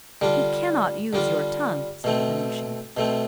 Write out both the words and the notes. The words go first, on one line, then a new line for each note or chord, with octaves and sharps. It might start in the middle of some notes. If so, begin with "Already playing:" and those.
"He cannot use your tongue," said the Venusian.
D3 G3 D4 F4
D3 G3 D4 F4
B2 A3 C4
B2 A3 C4